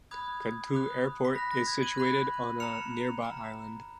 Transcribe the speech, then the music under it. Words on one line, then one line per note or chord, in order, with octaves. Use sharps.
Kadhdhoo Airport is situated on a nearby island.
B5 D#6 F#6 G#6
B5 D#6 F#6
B6
B5 F#6 A#6
A#6
G#6
D#7 F#7
B5 F#6
A#5 F6 C#7 F7
A#5 F6